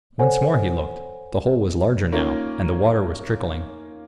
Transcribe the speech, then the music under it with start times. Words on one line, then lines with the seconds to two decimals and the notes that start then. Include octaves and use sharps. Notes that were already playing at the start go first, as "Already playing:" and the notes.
Once more he looked; the hole was larger, now, and the water was trickling.
0.19 A4 C5 C#5 F#5 G#5
2.12 A#3 C#4 D#4 F4 A#4